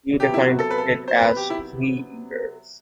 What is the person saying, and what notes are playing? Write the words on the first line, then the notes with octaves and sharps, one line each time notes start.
He defined it as "tree eaters".
C3 F#3 B3 G4
E4
F#4
A4
B4
A4
C5
B4
G4
E4